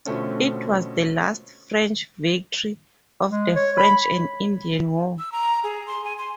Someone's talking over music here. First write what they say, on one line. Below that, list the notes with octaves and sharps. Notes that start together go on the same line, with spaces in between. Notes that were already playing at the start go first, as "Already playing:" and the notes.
It was the last French victory of the French and Indian War.
B2 D3 F3 A3 C4 C#4
G#3
C#5
B5
E6
A#5
G#4
C6
G#5
C6